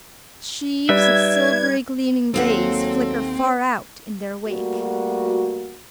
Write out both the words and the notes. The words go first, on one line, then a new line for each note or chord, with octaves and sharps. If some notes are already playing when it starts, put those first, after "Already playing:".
Sheaves of silvery-gleaming rays flicker far out in their wake.
G3 D#4 B4 D5 E5 G#6
D#2 F#3 A#3 C4 A4 F#5
G3 A3 A#3 F#4